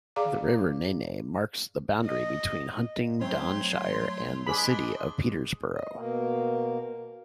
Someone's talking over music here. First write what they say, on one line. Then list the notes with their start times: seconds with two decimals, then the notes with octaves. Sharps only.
The River Nene marks the boundary between Huntingdonshire and the City of Peterborough.
0.16 G#4 D5 F5 A#5 D6
2.05 D#5
3.21 F#3 A3 C4 C#5 C6
4.47 D4 G#4 C5 D#5 B5
5.74 D#5
5.95 B2 A#3